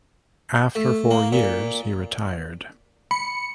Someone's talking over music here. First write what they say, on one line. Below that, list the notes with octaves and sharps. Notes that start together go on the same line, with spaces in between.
After four years, he retired.
A3
A#3
A#2
B5 C#7